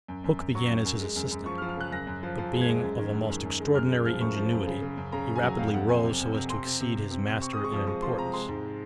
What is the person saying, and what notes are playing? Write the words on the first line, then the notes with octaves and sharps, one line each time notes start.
Hooke began as his assistant, but being of a most extraordinary ingenuity he rapidly rose so as to exceed his master in importance.
F#2
F#2
F#2
F#3 C#6
F#2
F#2
G#3
F#2
F#2
F3 C#6
F6
F3
F6
C#3 F#6
F#2 A#6
F#2
F3
F3
G#3
G#6
G#3
F#2
D#3
D#3
F#2
F#2
G#3
F#2 F6
G#3
F3 F6
F#2 C#6
F3
F#2
C#3
C#3
F#2
C#3 A#5
F#2
G#5
F#3
F2 F5
F2 F#5
C3 G#5
C3
F2
C3
C3 C6
C3
C3
C3
C3
C3
C3 C#6
G#3 D#6
C#6
F3 D#6
G#3 C#6
F3 C6
C3 A#5
G#3 C6
G#2